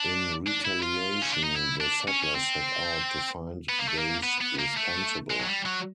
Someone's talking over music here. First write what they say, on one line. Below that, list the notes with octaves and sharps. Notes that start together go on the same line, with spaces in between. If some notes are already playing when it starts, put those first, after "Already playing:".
In retaliation, the settlers set out to find those responsible.
Already playing: D4
D4
E4
F4
C#4
D4
D#4
E4
D4
C#4
C#4
C4
B3
A#3
A3
A#3
B3
B3
A#3
A3
G#3
F#3
G3
F#3